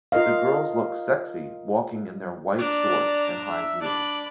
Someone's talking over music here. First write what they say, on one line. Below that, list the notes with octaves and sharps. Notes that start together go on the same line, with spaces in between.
The girls look sexy walking in their white shorts and high heels.
F4 A#4 D#5 F5
D4 D5 A#5
E5
D4 D5 B5